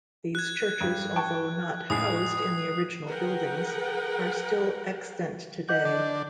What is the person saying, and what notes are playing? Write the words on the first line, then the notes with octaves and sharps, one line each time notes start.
These churches, although not housed in the original buildings, are still extant today.
F#6 G#6
G2
G5 A5 C#6
A2 G#3 D#6 C7
G#4 A#4 B4 F#5 G5
D#5 F#5 D6 G6
D3 D4